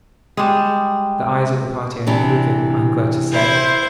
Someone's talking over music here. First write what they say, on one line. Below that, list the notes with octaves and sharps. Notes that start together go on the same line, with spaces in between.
The eyes of the party are improving, I am glad to say.
G3 G#3 G5
C3 E3 D4
E4 C5